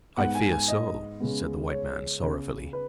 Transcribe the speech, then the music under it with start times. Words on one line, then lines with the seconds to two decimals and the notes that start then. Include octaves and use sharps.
"I fear so," said the white man, sorrowfully.
0.17 G#2 G#3 B3 F#5
0.35 G#5
0.52 G#5
0.68 D#5
1.20 C#3 G#3 B3
1.70 C#5
2.22 C#3 B3
2.73 B4